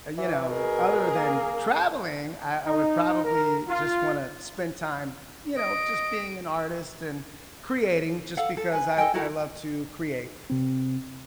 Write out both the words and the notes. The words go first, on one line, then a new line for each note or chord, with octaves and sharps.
you know other than traveling, I I would probably just wanna spend time, you know, just being an artist and creating just because I I love to create.
E3
B2 G#4 A#4
A#3
D#4
A#4
F4
D#5 D7
A4 F5 F#5
A4
B4 G#5
A4 D#5 G5 G#5
E4 F#4 A4 A#4
C3 C4